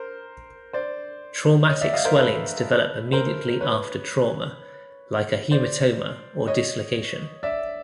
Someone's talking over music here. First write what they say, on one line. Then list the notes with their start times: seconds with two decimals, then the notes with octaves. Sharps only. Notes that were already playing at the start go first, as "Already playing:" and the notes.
Traumatic swellings develop immediately after trauma, like a hematoma or dislocation.
Already playing: A#4 C5
0.73 C5 D5
1.69 C#5 D#5
1.81 D5 E5
1.93 D#5 F5
2.05 A#4 C5
2.17 A4 B4
3.12 A#4 C5
3.61 B4 C#5
5.51 C5 D5
6.47 C#5 D#5
7.43 D5 E5